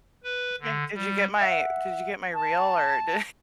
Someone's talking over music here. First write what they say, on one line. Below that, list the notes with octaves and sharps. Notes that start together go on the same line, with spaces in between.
Okay. Did you get my did you get my reel or, d
B4
D3
G3
E5 F#5
A5